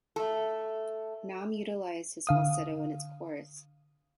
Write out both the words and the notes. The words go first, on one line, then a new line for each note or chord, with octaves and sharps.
Nam utilized his falsetto in its chorus.
A3 A4
D3 F5 D#6